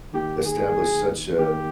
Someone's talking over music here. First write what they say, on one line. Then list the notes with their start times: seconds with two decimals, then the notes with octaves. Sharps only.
establish such a
0.13 D#3 A#3 D#4 G4
0.45 G#4
1.38 D#3 A#3 D#4 G4